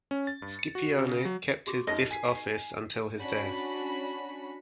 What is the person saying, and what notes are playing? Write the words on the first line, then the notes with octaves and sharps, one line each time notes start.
Scipione kept this office until his death.
C#4
A6
G2
C#7
F#4
C#3
F#3
F#4 G4 D6
F#2 D#4 A4 D#5
G#5 B6 C7
C#4 D4 F#4 B5